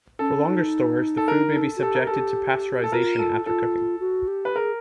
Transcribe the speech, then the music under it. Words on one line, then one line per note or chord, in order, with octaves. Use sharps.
For longer storage the food may be subjected to pasteurization after cooking.
C#4 A4
D#4
A4
A#4
A4
F#4
G4 A4
A#4
G4 A4
A4
F4 A#4
A4
F4 A4
F#4
G4
B4
G#4 A#4